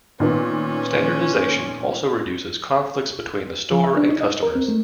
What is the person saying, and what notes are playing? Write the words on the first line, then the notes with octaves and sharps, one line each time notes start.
Standardisation also reduces conflicts between the store and customers.
A#2 D#3 B3 C#4
F3
E5
D4
D#4
D#5
A#4
C4
A3